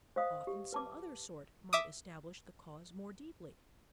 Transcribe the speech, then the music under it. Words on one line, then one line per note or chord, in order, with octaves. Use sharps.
Often some other sort might establish the cause more deeply.
C5 D#5 F5 D#6
G4
B4 A5 D6
E5 D6 D#6